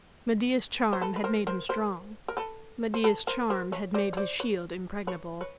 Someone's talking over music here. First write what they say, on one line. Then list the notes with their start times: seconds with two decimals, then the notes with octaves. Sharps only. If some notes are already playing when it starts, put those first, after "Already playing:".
Medea's charm had made him strong; Medea's charm had made his shield impregnable.
0.93 C5
1.01 A4 B4
1.16 B4
1.24 A#4 C5
1.47 A#4 C5
1.69 A#4 C5
2.28 A#4
2.37 A4 B4
2.94 C5
3.04 A4 B4
3.27 A#4 C5
3.50 A#4 C5
3.72 B4 C#5
3.94 C5 D5
4.13 C#5
4.17 C5 D5
4.40 B4 C#5
5.07 B4 C#5
5.41 B4 C#5